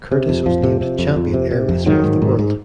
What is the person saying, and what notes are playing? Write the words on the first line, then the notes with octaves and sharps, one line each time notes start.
Curtiss was named "Champion Air Racer of the World".
C3
F2
F2 F3
C3
C3
F2
F2
C3
C3
F2
G#2 D#3 F#3
G#2
G#2
G#2